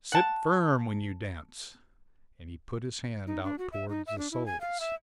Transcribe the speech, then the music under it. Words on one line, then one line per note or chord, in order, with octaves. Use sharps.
"Sit firm when you dance"; and he put his hand out towards the soles.
F#5 A5
D#4
D4
F#4
E5
D#4
E5
D4
E4
G#5
F5
E5